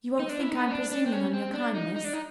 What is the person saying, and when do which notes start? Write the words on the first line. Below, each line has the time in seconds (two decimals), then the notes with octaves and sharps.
"You won't think I am presuming on your kindness?"
0.19 D#4
0.29 D4
0.40 E4
0.50 D#4
0.66 C#4
0.71 D4
0.91 D4
1.06 C4
1.12 C#4
1.33 C4
1.54 D4
1.75 D#4
1.96 D#4
2.04 D4
2.13 D#4